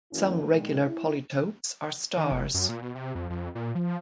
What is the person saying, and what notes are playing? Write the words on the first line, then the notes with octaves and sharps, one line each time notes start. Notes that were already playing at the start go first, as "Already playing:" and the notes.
Some regular polytopes are stars.
F#2 E3 F#3 A#3 C#4 E4
A#2 D#3 G#3
E4
D#3
F1
F#2
A#2
B2
C3
F2
F2
A#2
F3